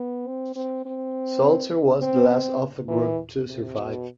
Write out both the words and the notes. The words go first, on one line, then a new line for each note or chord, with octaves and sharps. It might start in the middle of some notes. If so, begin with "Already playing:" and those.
Salzer was the last of the group to survive.
Already playing: B3
C4
C4
C4
C4
C4
E3
C3
B2